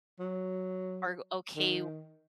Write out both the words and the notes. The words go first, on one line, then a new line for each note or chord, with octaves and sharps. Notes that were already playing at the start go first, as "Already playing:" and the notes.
are okay with
F#3
D#3